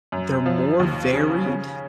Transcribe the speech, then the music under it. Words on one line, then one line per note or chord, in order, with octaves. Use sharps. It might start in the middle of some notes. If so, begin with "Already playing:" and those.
they're more varied,
F#2
F3
D#2
C#3
C#3